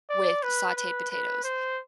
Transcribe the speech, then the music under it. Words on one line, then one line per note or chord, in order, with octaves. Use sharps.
with sauteed potatoes,
D5
B4
B4
B4
C5